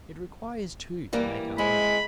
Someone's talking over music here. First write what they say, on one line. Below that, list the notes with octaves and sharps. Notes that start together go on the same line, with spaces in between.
It requires two to make a home.
E3 G3 A#3
G#3 C4 E4 B5